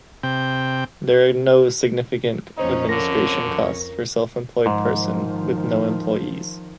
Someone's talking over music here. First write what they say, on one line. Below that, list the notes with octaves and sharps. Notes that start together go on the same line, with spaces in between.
There are no significant administration costs for self-employed person with no employees.
C3 G5
F2 C#4 D#4 C5 C#5 D#5
D3 A#4 A#6
G#2 D#3 F3